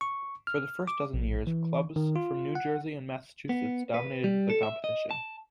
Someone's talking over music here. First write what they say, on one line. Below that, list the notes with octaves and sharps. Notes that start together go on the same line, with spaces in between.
For the first dozen years, clubs from New Jersey and Massachusetts dominated the competition.
C#6
F6
D6
A#1
E3
D#3
F4
F#5
B3
B4
G3
A4
E5
D#5
A5